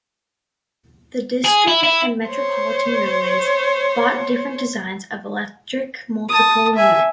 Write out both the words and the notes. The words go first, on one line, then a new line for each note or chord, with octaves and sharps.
The District and Metropolitan Railways bought different designs of electric multiple unit.
G#4
E4
E4
C5 C#5
A5 D#6
E5 G#5